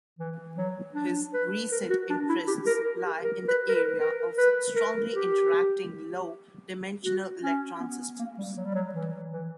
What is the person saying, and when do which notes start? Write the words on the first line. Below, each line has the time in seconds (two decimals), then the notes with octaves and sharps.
His recent interests lie in the area of strongly interacting low-dimensional electron systems.
0.19 E3
0.57 F#3
0.95 D4
1.33 B4
1.72 A#4
1.90 F#4
2.10 D4
2.29 E4
2.47 G4
2.66 A#4
3.05 G4
3.24 A#4
3.48 B4
3.69 A#4
3.75 B4
3.99 A#4
4.38 B4
4.76 A#4
5.15 G4
7.04 F#4
7.43 C#4
7.80 B3
8.19 A#3
8.38 G3
8.57 F#3
8.65 G3
8.74 F#3
8.95 E3
9.32 E3